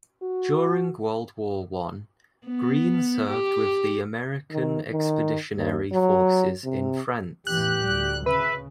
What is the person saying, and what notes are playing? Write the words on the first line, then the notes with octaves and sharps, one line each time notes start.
During World War One, Green served with the American Expeditionary Forces in France.
F#4
B3
G4
D#3
D#3
D#2
F#3
C3
E2 A2 E3 G4 F#6
D2 G3
C#3 B4 E5